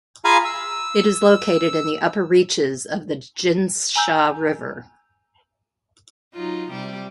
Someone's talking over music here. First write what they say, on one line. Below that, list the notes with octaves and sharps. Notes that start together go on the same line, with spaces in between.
It is located in the upper reaches of the Jinsha River.
F4 G#4 F5 G#5 A#5 B5
E6
G#5 A#5 E6 G6
F#3 D#4 F4
C3 G3 G4